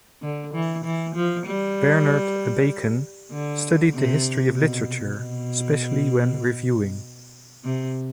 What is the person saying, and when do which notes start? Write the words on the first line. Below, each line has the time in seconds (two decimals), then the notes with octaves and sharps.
Bernhard Abeken studied the history of literature, specially when reviewing.
0.22 D3
0.54 E3
0.85 E3
1.15 F3
1.47 G3
3.32 D3
3.94 C3
4.56 B2
5.17 B2
7.65 C3